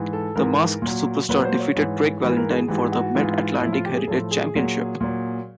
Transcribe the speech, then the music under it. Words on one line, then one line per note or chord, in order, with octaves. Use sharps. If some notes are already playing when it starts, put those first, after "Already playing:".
The Masked Superstar defeated Greg Valentine for the Mid-Atlantic Heritage Championship.
Already playing: G#2 E3
A4
G#2 E3 A#4
A#2 F#3
A#2 F#3 B4
C5
C#5
G#2 E3
G#2 E3 B4
A#4
G#4
G#2 E3 G4
F#4
G#2 E3 F4
A2 F3 E4
F4
G4
G#4
A2 F3 A4
G#4
A#2 F#3
A#2 F#3